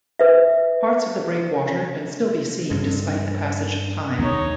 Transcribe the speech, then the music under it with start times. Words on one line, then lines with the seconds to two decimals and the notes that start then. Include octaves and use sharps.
Parts of the breakwater can still be seen despite the passage of time.
0.20 B4 E5
2.70 G2 G#3
4.18 D#2 D3 G#3 D#4 C#5